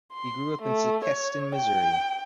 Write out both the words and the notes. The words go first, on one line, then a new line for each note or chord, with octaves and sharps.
He grew up in Sikeston, Missouri.
C6
A3
C#5
G5